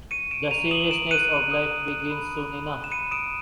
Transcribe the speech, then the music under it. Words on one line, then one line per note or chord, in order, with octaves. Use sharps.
The seriousness of life begins soon enough.
C#6 C#7 D#7
C#6 D7 E7
A#5 D#7 F7
D#6 E7 F#7
A#5 D7 E7
F#6 C#7 D#7
A#5
D#6
A#5
F#6
B5
D#6
B5
F#6
E7
B5 C#7 D#7
D#6 D7 E7